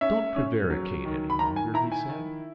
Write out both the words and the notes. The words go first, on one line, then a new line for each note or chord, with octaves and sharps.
"Don't prevaricate any longer," he said.
C#4 E5
C#4
F#3
D#3
B5
D#3 A#5
G#5
E4 A#5
G#5
D#3